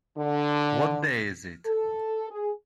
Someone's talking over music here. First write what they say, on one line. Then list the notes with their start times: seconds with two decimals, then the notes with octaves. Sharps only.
What day is it?
0.17 D3
1.66 A4
2.31 G#4